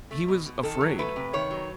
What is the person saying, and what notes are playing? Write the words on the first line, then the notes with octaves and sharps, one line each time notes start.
He was afraid.
A3
B2
B2
D#3 A4
F#3
A3 B4
C3
D#3 C#5
F#3